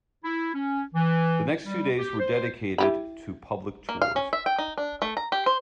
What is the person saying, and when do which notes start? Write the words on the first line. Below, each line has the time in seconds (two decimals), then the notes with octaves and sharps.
The next two days were dedicated to public tours.
0.24 E4
0.54 C#4
0.94 E3
1.65 G3
1.98 G4
2.20 C5
2.78 E4 G4 B5
3.89 A#3
4.02 F5
4.16 C#4
4.33 E5
4.46 G5
4.58 D#4
4.78 D4
5.02 A3
5.17 A#5
5.32 G4
5.46 C5